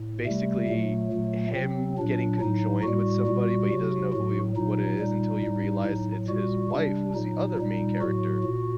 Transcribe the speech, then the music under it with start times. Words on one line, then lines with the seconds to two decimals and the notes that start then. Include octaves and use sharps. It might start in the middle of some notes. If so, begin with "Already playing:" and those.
basically, him getting conjoined with somebody, but he doesn't know who he what it is until he realized it's his wife who's the other main character.
Already playing: A2
0.26 C3 G3 A3
0.69 A#2 F#3 A3
1.12 A#2 F#3
1.55 C3 F#3 C4
1.99 A#2 F#3 D4
2.41 A2 F#3 D#4
2.84 A2 G3 F#4
3.27 A#2 G3
3.71 C3 F#3
4.14 A2 F#3
4.56 A#2 F#3 D#4
4.99 A#2 G3
5.43 A2 G3
5.86 A2 F#3
6.29 A#2 G3 F#4
6.72 C3 G3 D4
7.15 A#2 F#3 D#4
7.58 A#2 G3 D#4
8.01 A2 F#3 F#4
8.44 A#2